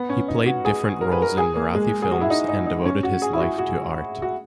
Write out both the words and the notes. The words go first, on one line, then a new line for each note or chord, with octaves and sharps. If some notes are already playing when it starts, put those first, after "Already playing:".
He played different roles in Marathi films and devoted his life to art.
Already playing: B3
C#4
D#4
F#4
G#4
A#4
B4
A#4
G#4
A#3
G#3
G#4
F#4
E4
D#4
D#4
D#4
C#4
F#4
G#4
E4
F#4
F#4
F#4